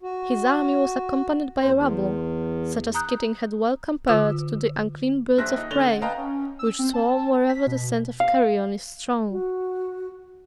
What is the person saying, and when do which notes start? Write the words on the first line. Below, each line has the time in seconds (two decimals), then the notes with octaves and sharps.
His army was accompanied by a rabble, such as Keating had well compared to the unclean birds of prey which swarm wherever the scent of carrion is strong.
0.02 F#4
1.60 E2 C5
1.74 E2
2.95 A#5 D#6 F#6 G6
4.08 D3 F4 E6
5.38 D#1 A#1 C5 E5 F#6 A#6
5.57 D#4
5.70 D3 C#4 D4 A6 F7 G7
5.89 F#5
6.01 B4 D#5 F5 G5 A5 A#5
6.17 C#4
6.59 E6
6.79 C4
6.94 A5
7.49 B6
7.67 B2
8.20 F5
9.30 F#4